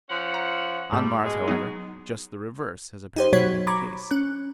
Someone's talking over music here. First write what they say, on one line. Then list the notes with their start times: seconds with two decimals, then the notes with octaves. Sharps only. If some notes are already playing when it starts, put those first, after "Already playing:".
On Mars, however, just the reverse has apparently been the case.
0.10 F3 C#4 F#5
0.34 A#5
0.93 G#2 G3 A3 E7
1.23 B2 G#3
1.48 F#3 B3 D#4
3.16 D#4 G4 C5
3.33 B2 F#3 F#4 C#5 G#6 B6
3.67 A#5 B5 C#6 D6 G#6
4.11 C#4 F#6